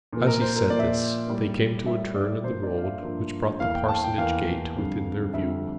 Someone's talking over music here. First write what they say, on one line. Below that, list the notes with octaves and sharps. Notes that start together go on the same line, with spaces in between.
As he said this they came to a turn in the road which brought the parsonage gate within their view.
A#2 F3 A#3
A#4
C5
A#4
A#2 F3 A#3 D5
E5
D5
A2 G3 A#3
A2 G3 A#3 E5
D5
G2 F3 A#3 C5
D5
F5
E5
G2 F3 A#3
E2 E3 A#3 F5
F5
G5
A5
G5
E2 E3 A#3 F5
F2 D3 G3
F2 D3 G3 E5